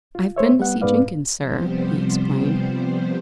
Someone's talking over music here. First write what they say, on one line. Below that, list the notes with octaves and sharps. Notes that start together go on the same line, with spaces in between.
"I have been to see Jenkins, sir," he explained.
F4
A3 C5 C#5 E5
G3 B3 F#5
G#2 B3 B4 D5 F5
C3 F3 G3 B3 C4 C5